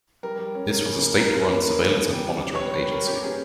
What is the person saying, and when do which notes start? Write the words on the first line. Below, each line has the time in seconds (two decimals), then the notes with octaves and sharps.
This was a state-run surveillance and monitoring agency.
0.23 G3 A#4
0.39 G3
0.55 C#4
0.70 A#3
0.86 C#3
1.02 A#3
1.18 A#3 A#4
1.31 C#4 A#4
1.42 B4
1.49 C#4
1.65 A#3
1.81 C#3
1.97 C#3
2.12 G3
2.28 G4
2.44 C#4
2.55 C#5
2.59 G3 B4
2.75 G3 B4
2.91 G3 A#4
3.07 C#4 G4
3.23 A#3 G#4